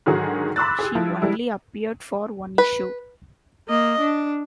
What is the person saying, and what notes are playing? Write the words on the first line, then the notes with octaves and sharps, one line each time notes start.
She only appeared for one issue.
G#2 D3 D#3 F#3 F#4 G#4
B5 C6 D6 E6 F#6 A6
G4 G#4
F3 E4
G3 G#3 E4
B4
A#3 D#5
D4